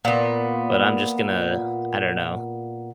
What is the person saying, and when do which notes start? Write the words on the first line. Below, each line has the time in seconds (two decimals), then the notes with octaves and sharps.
but I'm just gonna, I don't know
0.05 A#2 B3